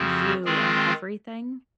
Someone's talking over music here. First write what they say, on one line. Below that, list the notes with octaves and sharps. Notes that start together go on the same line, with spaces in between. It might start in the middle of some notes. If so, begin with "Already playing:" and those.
view of everything,
Already playing: F2 C#3 F3 C4 F#4
D#3 G#3 C4 F4 G#4